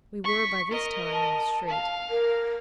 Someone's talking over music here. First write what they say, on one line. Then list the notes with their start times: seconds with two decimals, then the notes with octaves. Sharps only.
We were by this time in the street.
0.24 C#6 B6
0.71 A#4 D#5
1.13 A5
1.68 F5
2.10 A#4